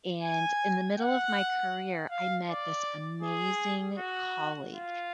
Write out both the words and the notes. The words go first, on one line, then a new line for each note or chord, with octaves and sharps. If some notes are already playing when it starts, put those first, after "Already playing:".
and in the middle of my career, I met this amazing colleague.
G#5
F#5
F5
D5
G#4
F#4
F4